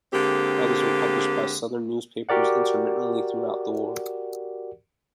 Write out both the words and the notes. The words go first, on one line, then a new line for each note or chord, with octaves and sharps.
Others were published by Southern newspapers intermittently throughout the war.
D3 G#3 A#3 C4 G4
F#4 G4 A#4 D5 F#5